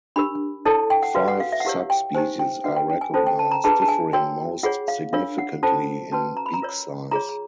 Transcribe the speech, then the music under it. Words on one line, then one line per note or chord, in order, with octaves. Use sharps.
Five subspecies are recognised, differing most significantly in beak size.
D4 G4 A#4 B5
E4 A4 C#5 A5
G5
F#5
F#4 B4 F5
F#5
F5
E5
F#5
E4 G4 A#4 C#5 F5
G5
D#4 G4 C5 G#5
G5
D4 F#4 B4 F#5
G5
G5
G#5
C#4 F4 A4 C5 A5
G5
A5
A#5
D4 F4 G#4 B4 A5
A5
G#5
F#4 A#4 C#5 G5
F4 G#4 C#5 F#5
F5
D4 F4 A#4 C#5 F5
F#5
C#4 F4 A4 C5 A5
C#4 F#4 B4 A5
A#5
B5
A#5
F4 A#4 C#5
F4 G#4 C#5 A#5